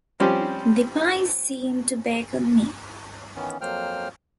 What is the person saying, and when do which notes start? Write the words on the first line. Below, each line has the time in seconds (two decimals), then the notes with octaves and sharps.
The pie seemed to beckon me.
0.20 F3 G3 C4 C#4 G4
3.36 D#3 E3 B3 C#4
3.61 F2 F#3 A#3 C5 G5 F6